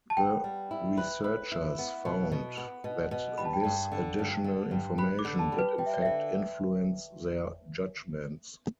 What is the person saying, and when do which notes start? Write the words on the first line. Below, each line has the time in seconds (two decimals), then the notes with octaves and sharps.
The researchers found that this additional information did in fact influence their judgements.
0.10 A5
0.17 B3 G5
0.44 G3
0.71 E4
0.97 B4
1.24 B4
1.52 E4
1.78 B3
2.05 B2
2.32 B2
2.57 B3
2.84 B2
3.11 B2
3.38 G3 B5
3.45 A5
3.53 G5
3.61 G2 A5
3.92 D3
4.19 G2
4.44 D3
4.71 G2
4.98 B4 B5
5.19 D6
5.25 D3
5.39 A5
5.52 G3
5.59 B4
5.78 G3 G5
5.86 E5
5.94 D5
6.02 D3 E5